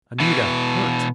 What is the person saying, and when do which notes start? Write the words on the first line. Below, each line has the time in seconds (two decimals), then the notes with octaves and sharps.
Anita hurt!
0.20 B2 E3